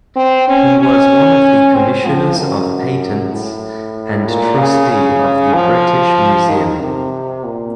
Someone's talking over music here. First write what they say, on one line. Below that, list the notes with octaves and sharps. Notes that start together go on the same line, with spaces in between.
He was one of the commissioners of patents, and trustee of the British Museum.
C4
C#4
C#4
C4
F3
F#2
A2
A#2
C#3
C#3
F3
D#3
C3
A#2